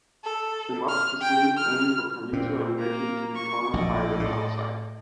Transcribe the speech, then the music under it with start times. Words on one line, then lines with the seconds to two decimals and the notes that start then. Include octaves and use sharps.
The mobsters leave, only for Carlito and Reggie to be cornered by them outside.
0.24 A4
0.88 F6
1.21 G5
1.57 F6
2.33 A#2 C4
2.78 A#3 A#5
3.35 C#6
3.73 A#1 A4 D5 D#5
4.19 A2